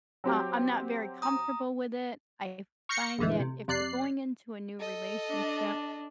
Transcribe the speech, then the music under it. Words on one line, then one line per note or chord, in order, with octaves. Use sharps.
Uh, I'm not very comfortable with it. I find that if you're going into a new relationship
F#3 C4 G4
A#5 D#6
C#6 F6 G6 A#6 C7 C#7
A#1 F#2 D3 E3 G#3 A3
C3
F2 C3 D5 F#6 C7
A4 D#5
D4